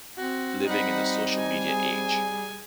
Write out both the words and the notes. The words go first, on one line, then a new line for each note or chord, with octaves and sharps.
living in the social media age,
C4 F#4
G3 C4 D#4 F#5 B5
G#5
G#4